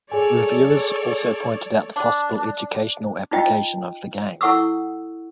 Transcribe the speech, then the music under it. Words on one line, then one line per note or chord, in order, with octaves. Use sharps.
Reviewers also pointed out the possible educational application of the game.
G#4 A4 C#5 D5 G#5
D4
D#4 F4 D#5 G5
E4 A4 F#5 C#6 D#6 E6